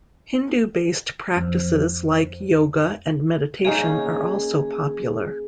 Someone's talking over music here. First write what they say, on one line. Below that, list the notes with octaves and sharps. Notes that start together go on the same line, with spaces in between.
Hindu based practises like Yoga and meditation are also popular.
F2
A#3 C#4 D#4 G#4